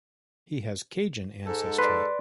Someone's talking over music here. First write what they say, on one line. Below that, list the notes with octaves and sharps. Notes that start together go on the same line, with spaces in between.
He has Cajun ancestry.
G#2 A4
B4 D5 C6